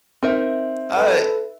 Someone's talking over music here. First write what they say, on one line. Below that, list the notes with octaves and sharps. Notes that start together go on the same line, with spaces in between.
uh, it
C4 D#4 A#4 E5
A4 B4